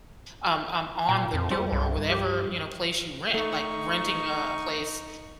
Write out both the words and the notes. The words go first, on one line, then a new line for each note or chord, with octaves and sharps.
um, um, on the door, whatever, you know, place you rent, like, renting a a place
A#2 G5
F2
G3 F#4 G#4 C5
C2 G2
G4
A3 D#4 C#6